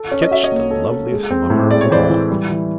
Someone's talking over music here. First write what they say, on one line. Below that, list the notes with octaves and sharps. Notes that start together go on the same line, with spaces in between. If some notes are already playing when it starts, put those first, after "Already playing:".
Kinch, the loveliest mummer of them all!
Already playing: A4
C#4
D#5
F#4 E5
C#5 D#5
A#3
A4
A4
G#3
C4
A2
G#3 D5
C#5
E3 C5 D5
E3
G3
E3